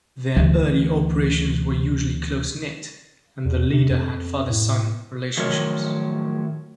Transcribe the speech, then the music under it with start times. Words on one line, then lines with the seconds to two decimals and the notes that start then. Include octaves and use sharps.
Their early operations were usually close-knit, and the leader had father-son relationships.
0.36 D2 E3
3.45 E2
3.73 C3
3.90 F2
4.50 A2
5.37 A2 D#3 F3 F#3 A#4 C#5